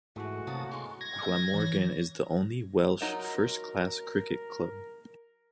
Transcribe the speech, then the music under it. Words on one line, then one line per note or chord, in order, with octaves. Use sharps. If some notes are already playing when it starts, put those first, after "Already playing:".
Glamorgan is the only Welsh first-class cricket club.
G#2 E3 G#3 A3 F#4
C3 F#3 A#3 C#4 A5 D#6
G#3 B3 A#4 C6 C#6
G#6 A#6
E6
E3 C#5
F#3 D#4 F4 A#4